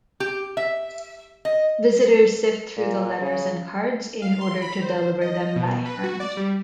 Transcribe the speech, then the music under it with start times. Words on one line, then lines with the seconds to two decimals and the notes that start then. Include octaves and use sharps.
Visitors sift through the letters and cards in order to deliver them by hand.
0.20 G4
0.57 E5
1.45 D#5
2.77 A#2
3.21 C#3
4.22 F5
4.41 C6
4.62 B5
4.81 C5
5.21 D#5
5.56 B2
5.85 B4
6.04 F#4
6.20 D5
6.37 G3